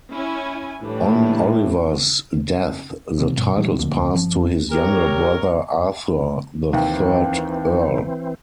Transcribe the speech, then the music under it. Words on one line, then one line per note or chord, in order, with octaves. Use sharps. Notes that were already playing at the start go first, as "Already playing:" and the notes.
On Oliver's death the titles passed to his younger brother, Arthur, the third Earl.
C#4 E4 G#5
A2 E3 G3 D4
C3 E3 C4
G2 B2
D2 A#2 E3 G3
D#1 D2 F3 A#3
G1 F3
F2
G4 A#4 C#5 A#5
D#2 E3 C4